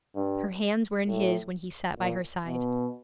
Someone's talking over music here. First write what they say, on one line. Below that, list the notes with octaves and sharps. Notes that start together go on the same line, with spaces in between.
Her hands were in his when he sat by her side.
G2
A2
A#2
B2